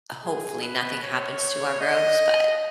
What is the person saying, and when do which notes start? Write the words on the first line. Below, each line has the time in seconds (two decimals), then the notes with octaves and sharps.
Hopefully, nothing happens to our groves, but
0.24 G#4
0.62 B4
1.03 C#5
1.81 D#5